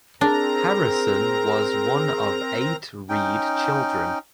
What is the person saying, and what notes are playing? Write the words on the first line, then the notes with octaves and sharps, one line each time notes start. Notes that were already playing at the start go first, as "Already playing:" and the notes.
Harrison was one of eight Reed children.
C4 D4 G#4 A#4 A#5
C#4 D#4 G5